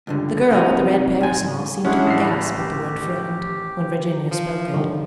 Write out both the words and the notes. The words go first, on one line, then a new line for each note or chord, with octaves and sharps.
The girl with the red parasol seemed to gasp at the word "friend," when Virginia spoke it.
C#2 G2 D3
C3 A#3 D#4 F#4
G#2 G#5
G#3 C#4 D4 E4 F#5
A1 C7
G4
F3
D3 G3 D#4